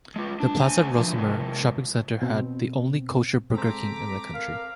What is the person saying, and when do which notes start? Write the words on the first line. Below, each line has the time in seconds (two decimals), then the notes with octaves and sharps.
The Plaza Rohrmoser shopping center had the only kosher "Burger King" in the country.
0.16 G#3 F4
0.40 D4
0.61 D2 G#5
0.96 D3 F3
1.16 C3 G#3
2.22 B2 C4
3.54 G#3 C4 A4 C5 A#5 D6 B6
4.34 A#4 F5